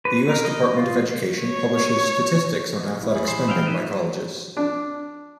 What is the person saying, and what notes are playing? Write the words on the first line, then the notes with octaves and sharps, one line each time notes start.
The U. S. Department of Education publishes statistics on athletic spending by colleges.
B4
A#4
D#5
F4
C#5
A#1 D#3 E4
B1 F2 E3 G#4 B5
A#2 D#3 E3 C5
E5 F5 G5
D#4 B4 D#5 E5
D4